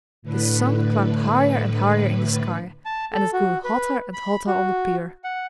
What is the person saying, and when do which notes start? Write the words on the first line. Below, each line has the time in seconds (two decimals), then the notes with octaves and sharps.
The sun climbed higher and higher in the sky, and it grew hotter and hotter on the pier.
0.22 A2 D3 B4
2.86 A5
3.13 A4
3.33 F#4
3.64 B4
4.14 B5
4.47 F#4
5.24 F#5